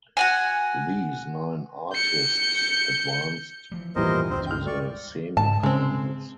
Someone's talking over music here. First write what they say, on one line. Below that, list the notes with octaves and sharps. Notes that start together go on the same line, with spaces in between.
These nine artists advanced to the Semifinals.
F#4 F#5 G#5
G6 C#7
E3 F3 G3
G#1 E2 A#2 E3 G3 A#4 C5 D#5
E1 C#2 G2 C4 D4 C5
G5 F6 G6
G#3 D5 C#6
G#2 A5
C#3 G#3 C4